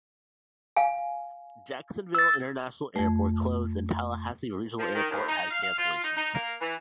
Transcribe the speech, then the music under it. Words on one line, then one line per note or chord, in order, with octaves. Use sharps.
Jacksonville International Airport closed and Tallahassee Regional Airport had cancellations.
F5 G#5
E6 A6
F2 A3
F3
D#3
D#2
D#4
F5
F5
F4
D#4
D#4
A#3
E3